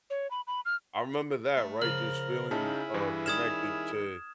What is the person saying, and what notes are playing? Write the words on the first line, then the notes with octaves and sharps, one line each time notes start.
I remember that, right? Just feeling, uh, connected to
C#5
B5
B5
F6
A3
C#3 F3 A#4 F6 F#7
C#3 D#4 E4 G#4 A5 B5
G2 E3
D#3 G3 C#4 D#6 F6 G#6 E7